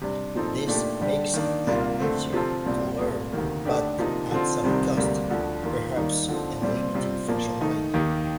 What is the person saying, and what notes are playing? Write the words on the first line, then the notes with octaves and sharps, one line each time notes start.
This makes it easier to learn but at some cost, perhaps, in limiting functionality.
C3 G3 D4
A#2 F3 C4 D#4 A4
A#2 A3 D4 G4
D3 G3 D4 G4
D#3 A#3 D4
C2 A#2 G3 A#3 F4
D3 A3 C4
C3 F3 C4 F4 A4
C2 A#2 G3 C4
C2 A#2 A3
D2 C3 D#3 A#3
D3 A3 D4 G4
C3 F3 A#3 D#4
D3 F3 C4 F4
C2 C3 D#3 G3 C4
D2 C3 G3 A#3
D2 D3 F3
D#3 A#3 F4
D#2 D#3 G3 A#3 D#4
D3 F3 C4
A#2 G3 C4
C3 G3 C4 F4
A#2 F3 A#3
D#3 A3 D#4
D#2 D#3 A#3 D#4 G4